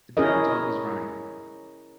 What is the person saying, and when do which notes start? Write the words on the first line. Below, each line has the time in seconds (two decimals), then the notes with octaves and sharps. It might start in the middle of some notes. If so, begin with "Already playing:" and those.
The brown dog is running.
0.17 C#4 E4 G#4 A#4 D#5